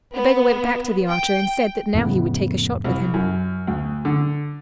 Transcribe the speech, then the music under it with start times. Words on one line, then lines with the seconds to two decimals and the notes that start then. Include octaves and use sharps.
The beggar went back to the archer and said that now he would take a shot with him.
0.13 B3
1.07 G5
1.94 F2 A2 C#3 B3
2.84 C2
3.14 F#2
3.67 D2
4.05 D3